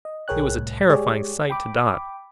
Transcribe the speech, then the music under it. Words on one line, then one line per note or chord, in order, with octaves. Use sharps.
It was a terrifying sight to Dot.
D#5
B1 G#4 A#4 C#5 G5 F#6
C2 A2
G#3 G4 G#4 C#5 D5
G5 B5 D6